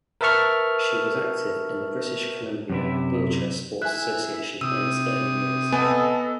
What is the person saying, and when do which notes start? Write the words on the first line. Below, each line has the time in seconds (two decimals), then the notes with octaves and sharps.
She was active in the British Columbia Wheelchair Sports Association in its early years.
0.21 A#4 B4 E5 A5 C#6 F6
2.70 F#2 C3 E4
3.82 E4 G#5 F#6
4.61 C3 D#6 E6
5.72 B3 A4 D#5 G#5